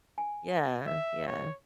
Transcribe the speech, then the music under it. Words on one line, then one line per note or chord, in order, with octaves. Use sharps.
Yeah. Yeah.
G#5
E5
C#5